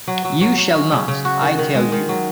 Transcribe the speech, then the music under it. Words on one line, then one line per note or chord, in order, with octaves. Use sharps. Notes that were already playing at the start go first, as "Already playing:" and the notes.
You shall not, I tell you.
F#3
F#3
F#3
F#3
C#4
C#3
C#3
F#4
D#3
D#3
G#3
D#3
F#3